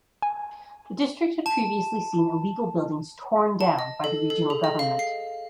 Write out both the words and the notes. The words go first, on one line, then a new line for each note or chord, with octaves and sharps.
The district had previously seen illegal buildings torn down by the regional government.
G#5
A5
A5
D#5
A4
A4
G#4
D#5
F5
C7